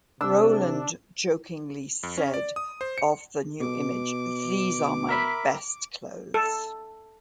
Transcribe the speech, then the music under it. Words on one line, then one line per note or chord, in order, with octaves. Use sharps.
Rowland jokingly said of the new image: These are my best clothes.
C3 D4 E6
F2
C#4
D5
D#6
C5
C#7
B2 D6
A#4 E5 B5
A4